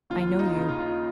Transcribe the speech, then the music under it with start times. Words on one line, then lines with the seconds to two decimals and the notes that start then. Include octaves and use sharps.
I know you.
0.10 D#2 F4
0.39 D#4
0.55 C#3
0.69 F4